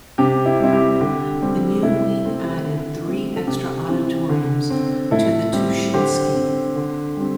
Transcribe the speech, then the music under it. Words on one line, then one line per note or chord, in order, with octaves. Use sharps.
The new wing added three extra auditoriums to the Tuschinski.
C3 G4
E4
G3 C4 E4
G4
D3 G4
G3 C4
C3 E4
A3 C4
D3
A3 C4
A4
C3 G4
E3 C4
D3
C4
A2 E4 A4
G3 C4
D3 G4 C5
C4
D3
G3 C4